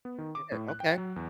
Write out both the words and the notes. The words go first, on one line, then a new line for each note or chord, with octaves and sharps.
Yeah. Okay.
B3
D#3
D6
A2
F#6
G5
F#3
E2